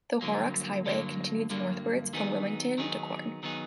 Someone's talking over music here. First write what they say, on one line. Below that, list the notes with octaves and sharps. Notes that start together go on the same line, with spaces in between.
The Horrocks Highway continues northwards from Wilmington to Quorn.
G2 D3 F#3 A#3
G2 D3 F#3 A#3
G2 D3 F#3 A#3
D#3 F#3 B3 D#4 G#4
D#3 F#3 B3 D#4 G#4
D#3 F#3 B3 D#4 G#4